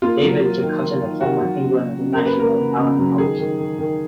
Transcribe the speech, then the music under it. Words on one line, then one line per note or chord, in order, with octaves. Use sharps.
David is the cousin of former England international Alan Thompson.
A#3 F4
F#3
A#3
D#3
D#3
D#3
D#3 F#4
F#3
C#3
C#3
C#3
A#4
A#3
B4
A#3 A#4
C#3
C#3
F#3
D#3 G#4
D#3
D#3
D#3